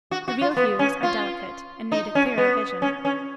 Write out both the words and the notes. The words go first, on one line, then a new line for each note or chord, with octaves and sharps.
The real hues are delicate, and need a clearer vision.
F#4
F#4
F4
B3
C#4
F4
D#4
C#4
B3
C#4
C#4